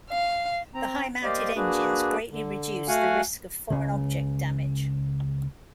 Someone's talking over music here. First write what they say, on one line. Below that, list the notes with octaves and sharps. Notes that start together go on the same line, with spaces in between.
The high-mounted engines greatly reduce the risk of foreign object damage.
F5
C4 A#5
A#3 G4 C5 D5 D#5 F5
A#3 D4 F#4 G#4 B4
D3
A3 F#4 F5 F#5 G#5
C#2 C#3